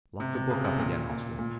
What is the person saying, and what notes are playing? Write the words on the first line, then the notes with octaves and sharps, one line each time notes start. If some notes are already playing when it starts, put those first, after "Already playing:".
Lock the book up again, Austin.
C3
C3
C#3
C3
A#2
A#2
A#2